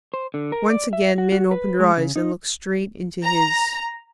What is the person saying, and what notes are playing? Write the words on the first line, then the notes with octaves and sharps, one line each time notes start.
Once again Min opened her eyes and looked straight into his.
C5
D3
A#4
D5
E5
F#4
F#4
B4
G#3
C#3
D#4
A#5